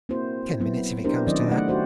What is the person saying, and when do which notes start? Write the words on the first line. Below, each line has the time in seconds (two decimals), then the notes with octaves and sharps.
"Ten minutes, if it comes to that."
0.09 A#3 C4 E4 F#4 C5
0.60 F#3 B3 E4
1.04 B3 D4 E4 G4 A#4 C5
1.27 D#3 F#3 C#4 E4 D5 D#5
1.51 A3 F#5
1.68 F#4 G4 C5 D5